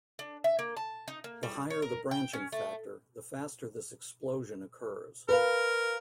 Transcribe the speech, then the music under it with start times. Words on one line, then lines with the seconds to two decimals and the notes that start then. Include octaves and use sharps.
The higher the branching factor, the faster this "explosion" occurs.
0.19 D4
0.44 E5
0.59 A#3
0.77 A5
1.08 D#4
1.24 A#3
1.43 G3
1.70 C#5
1.82 A#4
2.11 G5
2.33 C#4
2.52 A3
5.29 A#4 B4 F5